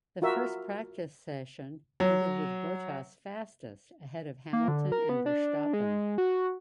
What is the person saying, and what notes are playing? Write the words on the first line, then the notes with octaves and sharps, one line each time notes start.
The first practice session ended with Bottas fastest ahead of Hamilton and Verstappen.
F4 F#4 A#4 E5
F#3
A#3
D3
A#4
B3
D4
G#3
F#4